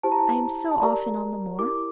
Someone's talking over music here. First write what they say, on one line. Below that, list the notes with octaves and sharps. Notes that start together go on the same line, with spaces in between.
I am so often on the moor.
E4 G4 C5 A5
A#5
A5
A5
G4 A#4 D5 A#5
E4 G4 A#4 D6